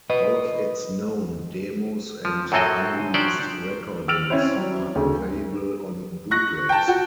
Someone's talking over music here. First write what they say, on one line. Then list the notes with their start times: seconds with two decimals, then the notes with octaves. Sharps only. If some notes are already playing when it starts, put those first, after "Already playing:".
All of its known demos and unreleased recordings are available on bootlegs.
0.10 B4 D#5
2.25 F3
2.52 F#2 A2 F#3 C4 A4 D#5
3.14 F3 F#3 G4 C5 D5 F#5
4.08 E6 F6 A6 D7 F7 F#7
4.30 C4 C#4 E4 C5
4.53 F#3 G3 E4
4.95 D2 C#3
6.31 C#6 F#6 A#6
6.69 G5 A5
6.88 F#4